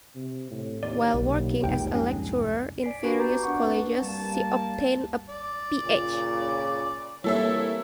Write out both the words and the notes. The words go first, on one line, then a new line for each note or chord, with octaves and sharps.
While working as a lecturer in various colleges, she obtained a Ph.
C3
A2
D#2 D5
B1
C2 F2 G#2 G5
C#4
D5 G#5 B6 C7 D7
D4 F#4 G4 B4 G#5 B5
B3 A#5 D6 G6 A6
D4 A#4 F#5 C#6
C4 D4 B4
G3 A#3 A5
D5
A#2 C#3
E3 G3 A#3 C4 E4 A4 C#5 E5